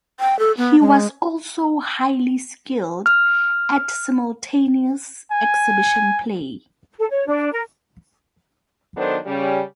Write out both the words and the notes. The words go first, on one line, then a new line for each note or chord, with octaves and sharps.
He was also highly skilled at simultaneous exhibition play.
G5
A4
B3
G#3
F6
G#5
A4
C#5
D4
A#4
D#3 F#3 B3 D4 A4 C5
C#3 G3 C#4